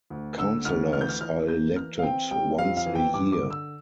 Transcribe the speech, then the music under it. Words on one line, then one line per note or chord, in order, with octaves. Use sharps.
Counselors are elected once a year.
D2
D3 E6
D2 F6
E3 F6
G6
F6
E3 F6
A#3 G6
E3 F6
F5
C4 G5
G3 G5
F2 F5
F5
E3
G5
G2 D6
D6
D3
E6